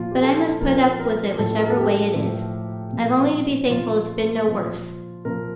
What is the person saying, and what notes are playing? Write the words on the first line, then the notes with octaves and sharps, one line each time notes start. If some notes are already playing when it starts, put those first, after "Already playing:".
But I must put up with it whichever way it is--I've only to be thankful it's been no worse.
Already playing: A#2 F3 F4
G4
A4
A#2 F3 A#4
A#4
A2 F3 A4
A#4
A4
G4
A2 F3
A#2 F3
A#2 F3 F4
A#2 F3
A#2 F3 A#4